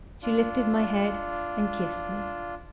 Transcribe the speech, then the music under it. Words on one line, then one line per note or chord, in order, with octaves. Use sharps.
She lifted my head and kissed me.
D4 F4